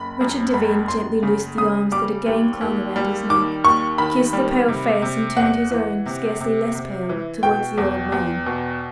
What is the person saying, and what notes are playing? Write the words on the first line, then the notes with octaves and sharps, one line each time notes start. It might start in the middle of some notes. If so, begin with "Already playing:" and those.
Richard Devine gently loosed the arms that again clung around his neck, kissed the pale face, and turned his own--scarcely less pale--towards the old man.
Already playing: F#1 B5
F#2
F#1 B5
F#1 C6
C#3
C#3 D#6
G3 D6
D#2
D#2
G3
D#3 D6
D#2 C#6
D#3 B5
G3
C3
C3
E2 F#5
E3
C3
C3
C3
E3
B2 G5
E2
E2
B2